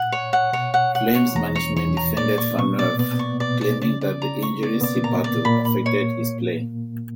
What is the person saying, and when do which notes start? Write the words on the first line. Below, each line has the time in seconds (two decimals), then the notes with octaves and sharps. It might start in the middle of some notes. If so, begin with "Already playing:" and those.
Flames management defended Phaneuf, claiming that the injuries he battled affected his play.
Already playing: A#2 F#5
0.12 C#5
0.33 F#5
0.53 B2 C#5
0.74 F#5
0.95 F#5
1.15 C#5
1.35 E2 E3 A#5
1.55 C#5
1.76 E2 E3 C#5
1.97 A#5
2.17 A#2 A#3 D5
2.38 C#6
2.58 B2 B3 C#6
2.79 D5
2.99 B2 B3 D5
3.19 C#6
3.40 B2 B3 D5
3.61 D5
3.81 C#3 C#4 D5
4.01 D5
4.22 A#5
4.42 C#6
4.63 B3 D5
4.73 A#3
4.81 B2 B3 D5
5.04 A#2 A#3 A#5
5.24 D5
5.45 A#2 A#3 B5
5.65 B5
5.86 C#5